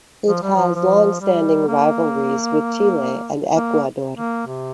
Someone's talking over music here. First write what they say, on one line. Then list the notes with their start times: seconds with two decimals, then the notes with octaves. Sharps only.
It has longstanding rivalries with Chile and Ecuador.
0.28 F3
0.42 G3
0.56 F3
0.75 F3
1.21 G3
1.67 A#3
3.54 A#3
4.15 A#3
4.46 C3